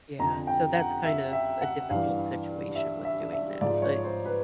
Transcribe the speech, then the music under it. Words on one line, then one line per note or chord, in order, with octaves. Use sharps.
Yeah. So, that's kind of a difficult situation with doing that. But,
F2 D3 F3 A#5
G5
F#5
E5
E5
F#5
G2 E3 F5
E5
E5
E5
G#2 F3 D5
C#5
C5
B4